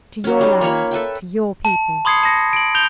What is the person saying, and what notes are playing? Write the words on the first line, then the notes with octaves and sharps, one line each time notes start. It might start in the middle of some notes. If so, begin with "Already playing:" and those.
To your land--to your people.
F#3 C#4
G3 D#4
A#3 F4 C#5 B5
A4 B4 E5 G5
A5
B5 C6 D#6 G#6 C7 C#7
A5 A#6 C#7
D7 F#7
G6 F7 G7